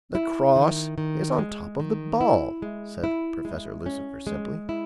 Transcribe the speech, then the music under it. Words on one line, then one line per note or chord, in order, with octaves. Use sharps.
"The cross is on top of the ball," said Professor Lucifer, simply.
E4
D#3
D#3
G#3
D#3
E4
G#3
E4
G#3
C#4
G#3
E4